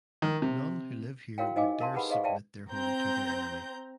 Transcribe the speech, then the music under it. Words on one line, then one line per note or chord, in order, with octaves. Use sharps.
None who live here would dare submit their home to their enemy.
D#3
C3
E4 F#4 A#4 C#5 F5 G5
D#4 C5 D#5 F5 G#5 D6
A#4 F5 A5 C6
G4 G#4 B4 F#5 B5
G#4 C5 D#5 F5 C#6
C5 D5 E5 F5 G5 A5
C4 A#5 G6